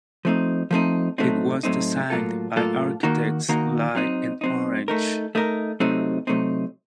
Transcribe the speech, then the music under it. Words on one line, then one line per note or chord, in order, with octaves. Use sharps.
It was designed by architects Leigh and Orange.
F3 A3 C4 D#4
F3 A3 C4 D#4
A2 F#3 A3 C4 D#4
A2 F#3 A3 C4 D#4
A2 F#3 A#3 F4 A4
A2 F#3 A#3 F4 A4
D#3 A#3 D#4 F#4
D#3 A#3 D#4 F#4
F#3 C4 D#4
F#3 C4 D#4
A3 D#4 A#4
A3 D#4 A#4
C3 F#3 A3 C4 D#4
C3 F#3 A3 C4 D#4